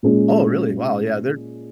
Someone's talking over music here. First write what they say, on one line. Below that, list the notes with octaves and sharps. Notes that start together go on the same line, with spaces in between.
Oh really? Wow, yeah, they're
A#2 G#3 C#4 G#4